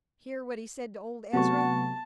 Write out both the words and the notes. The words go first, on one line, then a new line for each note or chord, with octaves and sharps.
Hear what he said to old Ezra?
C3 F#3 A3 B3 F#4 A5 C#6